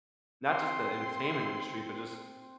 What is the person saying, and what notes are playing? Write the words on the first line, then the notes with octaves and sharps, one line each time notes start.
not just the entertainment industry, but just
C4 C6